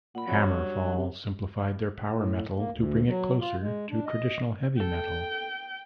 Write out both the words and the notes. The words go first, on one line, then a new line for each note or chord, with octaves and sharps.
HammerFall simplified their power metal to bring it closer to traditional heavy metal.
A#2 F#5 B5
F2 F#3 C#5
G2
C3
A2
A#3
D2
F#3
F4
G#3
D4
D#5
A4 G5